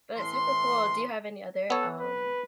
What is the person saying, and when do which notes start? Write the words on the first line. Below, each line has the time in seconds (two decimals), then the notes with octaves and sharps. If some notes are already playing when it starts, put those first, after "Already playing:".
but super cool. Do you have any other, um,
0.17 A2 E3 C6
1.70 B3 A4 C#5
2.00 B4